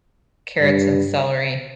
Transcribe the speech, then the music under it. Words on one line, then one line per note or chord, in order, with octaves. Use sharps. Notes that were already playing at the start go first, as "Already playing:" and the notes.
carrots and celery."
G2